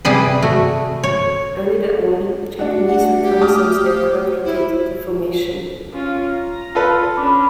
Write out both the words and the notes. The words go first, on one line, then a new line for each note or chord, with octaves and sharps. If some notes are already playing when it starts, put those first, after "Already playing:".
Early that morning, a Japanese reconnaissance aircraft located the formation.
C3 G3 G4 G#4 B4
A3 F#4
C#5
A3 D4 F#4
A3 F#5
G4
A3 D6 D#6 F6
C5
E4
C#4 F4
A#5
F4 A4 B4
C#4 D4 B5 D6